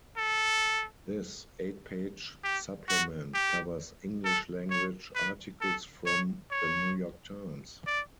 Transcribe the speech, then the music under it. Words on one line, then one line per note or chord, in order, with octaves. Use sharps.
This eight-page supplement covers English-language articles from "The New York Times".
A4
G4
F#4
G4
A4
C#5
B4
A4
C#5
C#5
D5